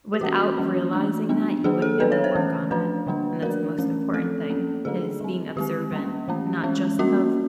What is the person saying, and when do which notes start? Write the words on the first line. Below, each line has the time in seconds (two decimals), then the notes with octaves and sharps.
without realizing that, you wouldn't be able to work on it. And that's the most important thing, is being observant, not just of
0.14 G4
0.21 E3 G3 A#3 C#4 F#4
0.57 E3 G3 A#3 C#4
0.93 E3 A3 D4
1.29 G3 B3 D4
1.64 D#3 F#3 A#3 D4 G#4
1.82 A4
2.00 F#3 B3 D4 B4
2.12 C#5
2.24 C5
2.35 E3 A3 C#4
2.71 F3 A3 D4 B4
3.07 D3 G3 A#3 D4
3.42 F3 A3 D4 A#4
3.78 E3 A3 C#4
4.14 F3 A3 C4 A4
4.50 F3 A#3 C#4
4.85 D3 F#3 A3 D4 G#4
5.21 G3 C4
5.56 D#3 G#3 C4 G4
5.92 G3 A#3 C#4
6.28 E3 A3 C#4
6.63 E3 G#3 C#4
6.99 G3 A#3 C#4 F#4